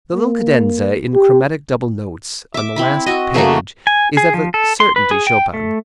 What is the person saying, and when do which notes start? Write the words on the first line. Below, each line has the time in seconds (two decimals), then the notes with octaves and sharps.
The little cadenza in chromatic double notes on the last page is of a certainty Chopin.
0.15 A#3
1.14 G4
2.54 E5 D6
2.76 C4 E4 B5
3.06 F#4 D#5
3.34 C#3 A3 A#3 F#4
3.87 G#5
4.17 G#4
4.34 F3
4.54 A4
4.80 C6
4.96 B4
5.11 G#4
5.27 G5
5.54 A3